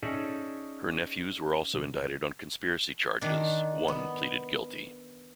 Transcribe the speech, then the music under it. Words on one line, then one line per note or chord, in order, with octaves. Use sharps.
Her nephews were also indicted on conspiracy charges, one pleaded guilty.
C#4 D#4 G#4 A4 D5 E5
D#3 D4
B3